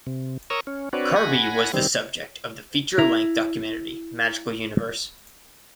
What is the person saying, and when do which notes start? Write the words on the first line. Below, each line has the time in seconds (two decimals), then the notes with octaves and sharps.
Carbee was the subject of the feature-length documentary Magical Universe.
0.07 C3
0.50 A#4 C#5 A#5 C#6 D#6 E6
0.67 C#4
0.93 C4 D4 F#4 B4 C#5 D5
1.16 F#5 G#5 B5 A#6
1.74 D#3 G3 C4
2.98 E4 A#5